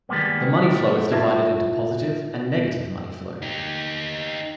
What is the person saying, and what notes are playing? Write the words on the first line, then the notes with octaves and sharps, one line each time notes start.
The money flow is divided into positive and negative money flow.
D#3 G3 G#3 A#3 B3
E4 F4 A#4 E5 A5
D#4 G4